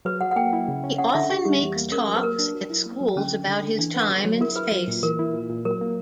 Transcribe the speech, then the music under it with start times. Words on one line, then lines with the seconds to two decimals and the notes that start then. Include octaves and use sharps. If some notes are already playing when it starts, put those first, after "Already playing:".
He often makes talks at schools about his time in space.
0.05 F#3 B4
0.21 F#3 F#5
0.31 F#5
0.36 A#3 G5
0.53 E4
0.68 C#3
0.84 C#4
0.98 C#4 F#5
1.14 D3 E5
1.30 D3 G4
1.45 G3 G4
1.61 E2
1.76 A#3
1.92 C#4 A#4
2.08 F#3
2.16 B4
2.23 A#3 A#4
2.39 D4
2.54 F#3
2.70 E4
2.86 A#3
3.01 F#3
3.16 D3 C#4
3.31 D3
3.47 D3
3.63 D3
3.78 E3 D4
3.94 B3
4.10 D3 F#4
4.25 F#3
4.41 E4 A#4
4.56 E4 B4
4.72 F#3
4.88 A#2
5.03 E3 A#4
5.19 E4
5.34 A#2
5.49 A#2
5.65 F#3 A#4
5.81 A#3